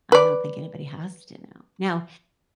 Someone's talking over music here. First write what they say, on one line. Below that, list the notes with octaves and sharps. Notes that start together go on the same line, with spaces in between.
I don't think anybody has to know. Now,
B4 D5